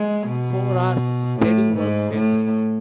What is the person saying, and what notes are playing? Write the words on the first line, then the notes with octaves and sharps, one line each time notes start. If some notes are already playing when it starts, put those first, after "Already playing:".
Four hours of steady work faced us.
Already playing: G#3
B2
A2
G#2
A2